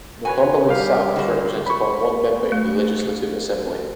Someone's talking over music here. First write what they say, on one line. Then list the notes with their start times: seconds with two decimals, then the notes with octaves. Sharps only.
Northumberland South was represented by one member in the Legislative Assembly.
0.25 F#4 B4 C#5 G#5
0.68 G3 G4 A#4 F5
1.16 D3 F#4
1.66 B5 C#6
2.52 A3